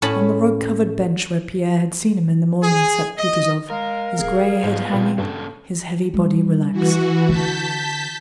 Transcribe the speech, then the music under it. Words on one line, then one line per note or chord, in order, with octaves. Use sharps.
On the rug-covered bench where Pierre had seen him in the morning sat Kutuzov, his gray head hanging, his heavy body relaxed.
A2 C#4 C#5 A5 B5
G#4
D#5
G#3 A#4 F5
D1 G#4
G#2 F3 G#3 B3
A#2 C4
G2 A#2 C#3 A4
G3
E3 F#4
D3 A5 G6 B6